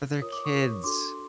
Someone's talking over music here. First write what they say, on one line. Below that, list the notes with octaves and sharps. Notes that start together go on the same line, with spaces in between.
But they're kids.
F4 A#4 C#5 D#6
D6
C#6 D#6
F4 A#4 C#5
D4 F#4 A4 C6 D6